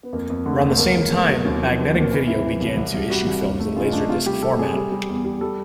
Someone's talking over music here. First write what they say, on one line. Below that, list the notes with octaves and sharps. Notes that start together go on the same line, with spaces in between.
Around the same time, Magnetic Video began to issue films in laserdisc format.
B3
F2 A#3
F2
D3 A3
F2
A3
C#2 A#3
C#2
A3 B3
F#3
D#2 C4
F3
F3 B3
A#3
D#2
A#3
E3 B3
C3 E4
E3 E4
C2
C2
C2
G3 F#4
C2
D#2
A3
C#3 F4
D#4
A3 D4
D#4
C3 F4
G3 G4
C3 A4
C3 G#4
G3
G3
E2
G3
G3 A4